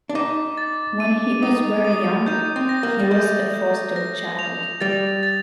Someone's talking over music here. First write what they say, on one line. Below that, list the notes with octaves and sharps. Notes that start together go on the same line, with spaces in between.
When he was very young, he was a foster child.
D4
D#4 D6
A6
D#7
D#4 D#6
D#6
D#4 G6
C4
A#6
A#3
G3
A3 G6
G6
A#6
F7
G3 A6
A6